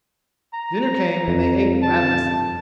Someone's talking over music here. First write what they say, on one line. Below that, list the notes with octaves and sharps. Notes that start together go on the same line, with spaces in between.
Dinner came and they ate ravenously.
A#5
F2
A5